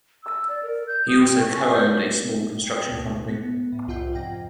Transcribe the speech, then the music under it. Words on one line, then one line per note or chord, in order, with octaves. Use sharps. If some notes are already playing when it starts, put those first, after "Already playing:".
He also co-owned a small construction company.
E6
D5
A#4
G6
D#6
G5
C#6
G#5
G6
G5
D2 B2
B3
A2
C2 F2 F4 E5 F#5 G6
F2 G#2 C3 G5 A#6